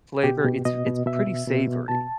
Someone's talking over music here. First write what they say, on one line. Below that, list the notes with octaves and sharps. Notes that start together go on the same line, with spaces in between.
flavor. It’s it’s pretty savory,
B2 G4
B2
B2 D#5
B2
B2 E5
B2
B2
B2
B2 A5